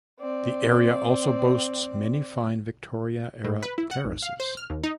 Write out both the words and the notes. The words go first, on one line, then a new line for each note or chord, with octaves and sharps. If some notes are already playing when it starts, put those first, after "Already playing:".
The area also boasts many fine Victorian-era terraces.
C4 D5
A2
B4
E4
F#5
G#1
F5
C5
F6
D#2
D#4